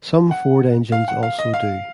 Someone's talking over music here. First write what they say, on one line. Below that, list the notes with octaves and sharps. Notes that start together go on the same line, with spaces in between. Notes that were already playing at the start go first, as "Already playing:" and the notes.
Some Ford engines also do.
F#5
F5
F#5
F5
D#5
F5